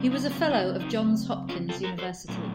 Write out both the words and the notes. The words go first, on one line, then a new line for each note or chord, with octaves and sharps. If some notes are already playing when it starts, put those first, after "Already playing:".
He was a fellow of Johns Hopkins University.
Already playing: C#3 F#3 C4
D#4
C#4
D#4
D#4
C#4 F4
F4 A4
F#4 A#4
A4 C5
A#2 F#3 A3 C#4